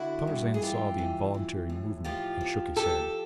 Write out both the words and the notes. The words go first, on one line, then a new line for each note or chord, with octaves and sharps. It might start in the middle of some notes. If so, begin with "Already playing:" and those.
Tarzan saw the involuntary movement and shook his head.
Already playing: D3 E4 F#4
G2
G#4
E3 F4 G4
E3
E3
A2
F3 F4 G4
F3
F3 G4 A4